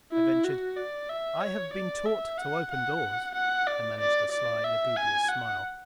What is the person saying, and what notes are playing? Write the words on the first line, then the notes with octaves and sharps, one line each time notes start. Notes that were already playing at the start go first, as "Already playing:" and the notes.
I ventured, "I have been taught to open doors." I managed a sly, lugubrious smile.
E4
F#4
D5
E5
C#5
D5
E5
F#5
F#5
F#5
D5
D5
D5
E5
G#5
F#5